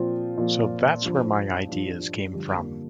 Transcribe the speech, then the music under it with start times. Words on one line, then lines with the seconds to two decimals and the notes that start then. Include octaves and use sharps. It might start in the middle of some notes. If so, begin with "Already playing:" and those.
So that's where my ideas came from.
Already playing: A#2 F3 C4 F4
0.38 A#2 F3
1.02 G2 F3
1.68 G2 F3
2.33 G2 D3 F3 G3
2.55 A#3